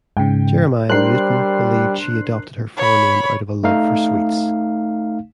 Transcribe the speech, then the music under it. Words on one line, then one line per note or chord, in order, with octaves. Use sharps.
Jeremiah Newton believed she adopted her forename out of a love for sweets.
G#2 C#3 G5
G3 D4 A#4 C5 F#6 C7
C#5 B5
A3 D#4 F5